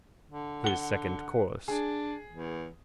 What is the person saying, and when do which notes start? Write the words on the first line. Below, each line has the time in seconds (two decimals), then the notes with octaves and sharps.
His second course.
0.29 D3
0.64 F#5 G7
1.68 D4 G#4
2.30 E2